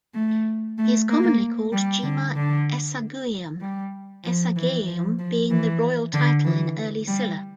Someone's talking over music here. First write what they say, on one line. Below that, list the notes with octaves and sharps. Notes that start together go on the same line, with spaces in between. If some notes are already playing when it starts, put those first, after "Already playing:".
He is commonly called Jima Isageum, "isageum" being the royal title in early Silla.
A3
A3
A#3
G3
D3
D3
G3
F3
E3
F3
F3
E3
D3
E3
G3